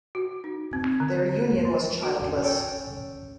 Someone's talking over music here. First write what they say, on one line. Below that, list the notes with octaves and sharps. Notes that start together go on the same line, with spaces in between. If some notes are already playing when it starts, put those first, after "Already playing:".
Their union was childless.
F#4
D#4
C4
D3
F3
F#4
C#4 A4 G5